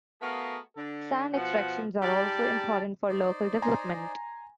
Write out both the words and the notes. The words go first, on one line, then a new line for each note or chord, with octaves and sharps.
Sand extractions are also important for local development.
A3 B3 F#4 G#4 A#4 F5
D3 D4 A4
B2 F3 F#5
G#2 G3 D5 A5
D#4 C5 D5
G#5 A#5 C6